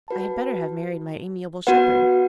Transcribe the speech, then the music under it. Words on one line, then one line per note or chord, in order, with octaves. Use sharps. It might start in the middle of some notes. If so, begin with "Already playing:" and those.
I had better have married my amiable shepherd.
F#4 B4 A5
B3 F#4 B4 F#5